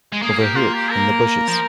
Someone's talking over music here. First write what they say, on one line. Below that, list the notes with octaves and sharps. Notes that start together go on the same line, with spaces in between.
Over here in the bushes.
G#3
A#3 G#4
G4
F4
G4
A#4
F3